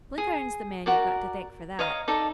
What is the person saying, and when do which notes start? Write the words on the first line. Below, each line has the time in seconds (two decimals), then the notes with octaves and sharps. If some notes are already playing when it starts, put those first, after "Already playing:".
Blenkiron's the man you've got to thank for that.
0.18 G#4
0.86 F#4 A#4 D5
1.79 C#5 D#5 F5 A#5
2.08 D#4 A4 D5